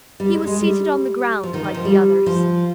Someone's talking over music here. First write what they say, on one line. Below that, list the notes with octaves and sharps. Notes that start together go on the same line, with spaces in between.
He was seated on the ground like the others.
G3
G#3
G#3
G3
F3
D#3
D#3
F3
G3
F3